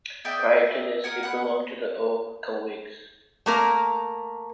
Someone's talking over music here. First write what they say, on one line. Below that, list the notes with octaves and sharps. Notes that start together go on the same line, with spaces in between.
Prior to this, it belonged to the O'Cowigs.
G#4 D5 E5 G5
A#4 F#5 G#5
F#5 B5 F#6
A3 A#3 A#4